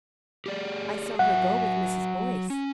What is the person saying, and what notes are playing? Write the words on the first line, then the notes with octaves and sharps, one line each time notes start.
"I saw her go with Mrs. Boyce."
G4 G#4 D5
F#3 E5 F#5
C#4